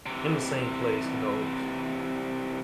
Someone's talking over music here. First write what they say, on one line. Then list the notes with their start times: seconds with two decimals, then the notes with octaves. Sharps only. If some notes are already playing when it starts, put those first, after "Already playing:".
in the same place, you know
0.06 C3 E3